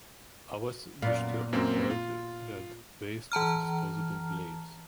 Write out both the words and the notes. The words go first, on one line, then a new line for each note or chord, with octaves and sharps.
Others wish to avoid the waste of disposable blades.
F#2 A#2 B3 F5
F#2 A#3 C4
F4
E3 A5 A#5 F6